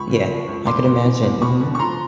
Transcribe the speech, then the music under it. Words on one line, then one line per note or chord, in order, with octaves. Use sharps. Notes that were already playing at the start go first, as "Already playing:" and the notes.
Yeah, I could imagine. Mhm.
Already playing: C#2 B5 C#6
C#3
F3
C#2
E2 C6 D6
C3
E3
E2
D#2 B5 C#6
D3
C#6
F3 A#5 C6